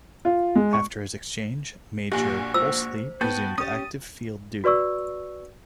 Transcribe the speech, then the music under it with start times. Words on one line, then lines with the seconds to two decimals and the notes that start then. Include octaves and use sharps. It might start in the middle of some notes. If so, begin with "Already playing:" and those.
After his exchange, Major Hulsey resumed active field duty.
0.25 F4
0.55 G#3
0.73 C#6
2.12 A#1 A#2 F#4 G4 G#5
2.54 C5 E6
3.21 B3 F#4 G5 A5
3.58 C#4 G4 D#6 A6 D#7
4.64 F#4 B4 D5 C#6 E6